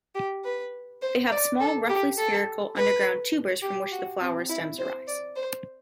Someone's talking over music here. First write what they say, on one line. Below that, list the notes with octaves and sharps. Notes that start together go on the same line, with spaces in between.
They have small, roughly spherical, underground tubers from which the flower stems arise.
G4
B4
C5
D5
A4
G4
A4
B4
G4
F#4
C4
E4
C5
D5
C5